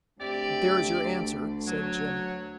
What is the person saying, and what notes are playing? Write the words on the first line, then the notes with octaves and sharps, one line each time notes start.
"There's your answer," said Jim.
D2 C4 E4 G4 D5
F#3 C#5